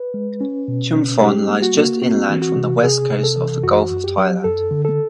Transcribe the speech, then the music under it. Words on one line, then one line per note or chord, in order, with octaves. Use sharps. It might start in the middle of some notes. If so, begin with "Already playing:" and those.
Chumphon lies just inland from the west coast of the Gulf of Thailand.
Already playing: B4
G#3
C#4
B2
C#4
G3 G4
A#3
F#4
A#3
C4 F#4
E3
F#4
C3
C3 G#4
C3
A4
E3
F#2 F#4
F#2
G4
F#3
F#2 A4
D3
A4